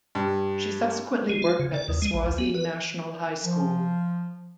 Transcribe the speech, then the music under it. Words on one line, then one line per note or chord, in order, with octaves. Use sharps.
She subsequently worked at the Swazi National High School.
G2
G#3
F4
C#3
D5
D#2
G#3
A#1
D2
B3
B4
F3